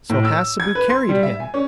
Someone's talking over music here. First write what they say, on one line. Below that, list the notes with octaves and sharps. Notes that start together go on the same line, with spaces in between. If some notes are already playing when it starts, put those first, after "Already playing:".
So Hassebu carried him.
A2
E6
G#6
B4
C6
G3
E5
G#5
C#4